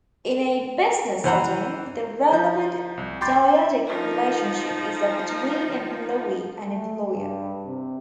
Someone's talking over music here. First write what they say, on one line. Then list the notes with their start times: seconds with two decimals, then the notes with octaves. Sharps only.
In a business setting, the relevant dyadic relationship is that between employee and employer.
1.24 E3 C5 F#5 A#5 B5
2.32 F3 A#5 G6
2.97 C2
3.21 G5 B5 C6 D6 G6 A6
3.86 F3 D#4
6.66 A3
7.12 G2
7.66 C3